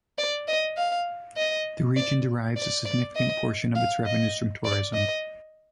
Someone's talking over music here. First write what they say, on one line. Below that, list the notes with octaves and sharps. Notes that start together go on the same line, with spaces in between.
The region derives a significant portion of its revenues from tourism.
D5
D#5
F5
D#5
D5
D5
D5
D#5
F5
D#5
D5
D#5